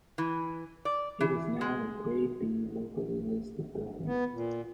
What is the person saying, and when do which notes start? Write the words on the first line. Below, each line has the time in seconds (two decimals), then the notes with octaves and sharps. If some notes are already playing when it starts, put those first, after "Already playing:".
It is now a Grade B locally listed building.
0.18 E3
0.85 D5
1.21 E3
1.61 G#3
4.06 B3
4.32 A#2